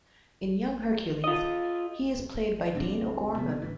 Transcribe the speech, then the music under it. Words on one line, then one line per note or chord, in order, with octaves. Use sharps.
In "Young Hercules", he is played by Dean O'Gorman.
F4 D#5
D2 D3 C4 D4
C3 G3 B3
C#2 A2 D3 E3